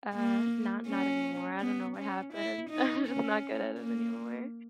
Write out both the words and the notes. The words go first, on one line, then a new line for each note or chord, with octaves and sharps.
uh, not not anymore, I don't know what happened. I'm just not good at it anymore.
A#3
C#4
B3
C#4
E4
D#4
C#4
A#3